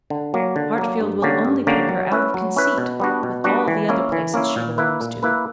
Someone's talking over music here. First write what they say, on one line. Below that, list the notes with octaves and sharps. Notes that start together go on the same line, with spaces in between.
Hartfield will only put her out of conceit with all the other places she belongs to.
D3
F#3 A#3
D3
F#3 A#3
G2
D3 A#3 C#4 G4
G2
D3 A#3 C#4 G4
F#3
C#4 E4 B4
F#3
C#4 E4 B4
B2
G3 B3 D4 F#4
B2
G3 B3 D4 F#4
E3
A#3 C#4 E4
E3
A#3 C#4 E4
A#2
A#3 E4 B4
A#2
A#3 E4 B4